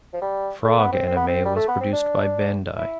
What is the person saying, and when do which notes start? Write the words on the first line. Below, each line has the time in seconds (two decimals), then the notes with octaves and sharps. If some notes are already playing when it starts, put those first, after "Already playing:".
Frog anime was produced by Bandai.
0.14 F3
0.22 G3
0.64 A3
0.79 B3
0.92 C4
1.07 C4
1.17 B3
1.27 C4
1.45 G3
1.56 A3
1.68 B3
1.81 C4
1.93 D4
2.78 E4